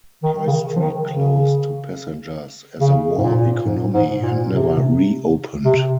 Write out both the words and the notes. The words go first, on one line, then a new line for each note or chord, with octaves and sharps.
High Street closed to passengers as a war economy and never reopened.
D#3
C#3
D#3
F3
D#3
C#3
C#3
G#2
A#2
G#2
G#2
A#2
C3
C3